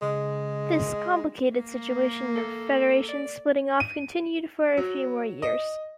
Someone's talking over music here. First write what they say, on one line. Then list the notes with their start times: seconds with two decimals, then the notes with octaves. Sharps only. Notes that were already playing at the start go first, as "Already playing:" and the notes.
This complicated situation of federations splitting off continued for a few more years.
0.02 C#3 G#3
1.54 A#3
2.36 A4
3.09 D5
3.80 D#7
4.77 F#3
5.42 D#5